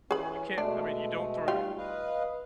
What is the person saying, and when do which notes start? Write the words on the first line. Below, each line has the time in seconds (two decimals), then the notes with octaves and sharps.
you can't, I mean, you don't throw you
0.11 E3 C#4 G#4 B5
0.58 B2 G#3 A3 D4
1.48 D#3 G3 F4
1.78 B4 D#5 F5